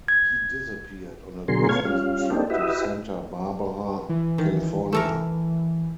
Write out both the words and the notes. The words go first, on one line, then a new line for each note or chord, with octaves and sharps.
He disappeared on a business trip to Santa Barbara, California.
G#6
B2 D3 F#3 G#4 A#4 C6
A3 B3 C#5 F5 G#6
G3 C#4 F4 F5
A#3 C4 D4 D#4 G4 A4
E4 F#4 G4 B4 D#5 E5
E3
D#3
E3 A3 A4 A#4